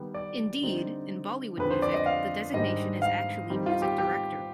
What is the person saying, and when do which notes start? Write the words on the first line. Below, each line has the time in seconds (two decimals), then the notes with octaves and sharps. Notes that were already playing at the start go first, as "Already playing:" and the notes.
Indeed, in Bollywood music, the designation is actually music director.
Already playing: D#3 G3 B3
0.14 D5
0.62 D3 G3 C4 D#4
1.58 F2 D3 G#3 B4
1.71 C5
1.82 D5
1.94 D#5
2.06 F5
2.54 G#2 D#3 G3 D4 D#5
3.02 F5
3.50 D#3 G3 C4 D#4
3.66 F4
3.82 G4
3.98 G4